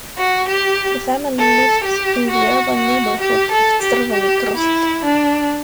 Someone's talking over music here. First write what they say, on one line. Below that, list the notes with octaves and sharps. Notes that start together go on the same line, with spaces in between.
The family lived in the urban neighbourhood of Crveni Krst.
F#4
G4
A4
G4
F#4
F#4
G4
A4
G4
G4
E4
D4